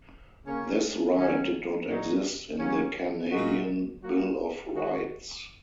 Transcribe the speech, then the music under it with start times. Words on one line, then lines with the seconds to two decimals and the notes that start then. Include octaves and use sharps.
This right did not exist in the Canadian Bill of Rights.
0.45 C#3 A#3 C#4
1.16 D#3 F#3 C#4
1.87 A#2 F#3 D#4
2.59 F#3 A#3 C#4
3.30 A#2 G#3 D#4 F#4
4.02 F#3 A#3 F#4
4.73 D#3 G#3 F#4